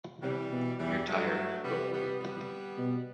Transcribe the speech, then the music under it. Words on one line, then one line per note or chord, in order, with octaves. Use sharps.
You’re tired, go home.
C3 E3 G3
B2
E2 E3 G3
G2 F#3 A3
C3 G3 B3
G3 B3
G3 B3
B2